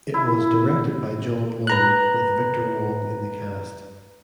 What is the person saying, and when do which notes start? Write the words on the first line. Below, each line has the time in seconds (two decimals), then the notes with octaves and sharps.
It was directed by John Lone, with Victor Wong in the cast.
0.14 E4
1.67 B4 A#5 F#6